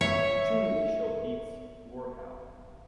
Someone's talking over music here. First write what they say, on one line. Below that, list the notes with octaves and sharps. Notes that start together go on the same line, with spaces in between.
Two initial heats were held.
C#5 E5